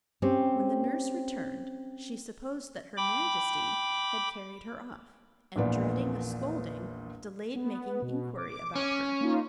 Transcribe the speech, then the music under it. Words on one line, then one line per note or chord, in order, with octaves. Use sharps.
When the nurse returned, she supposed that her Majesty had carried her off, and, dreading a scolding, delayed making inquiry about her.
C4 C#4 G4
G5 B5 D6
A#1 E2 A#2 B3 D5
B3
B2
D6
C#4
A#3 D#4 F4